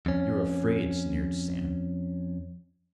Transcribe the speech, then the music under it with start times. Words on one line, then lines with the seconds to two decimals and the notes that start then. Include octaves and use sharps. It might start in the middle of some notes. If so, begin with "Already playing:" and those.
"You're afraid," sneered Sam.
0.06 F2 C#4